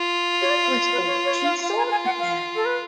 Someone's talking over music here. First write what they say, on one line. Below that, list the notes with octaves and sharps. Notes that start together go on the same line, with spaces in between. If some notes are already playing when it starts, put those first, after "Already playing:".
It was all she thought about.
Already playing: F4
C#5
D5
F5
B4
C#5
C#5
F5
F4 F5
G#5
G#5
F#5
F5
A4
B4